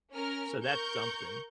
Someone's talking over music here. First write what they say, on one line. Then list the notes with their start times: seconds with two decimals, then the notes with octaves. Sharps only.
So that's something.
0.13 C#4 A#4 F6
0.65 A#4 C#6 G6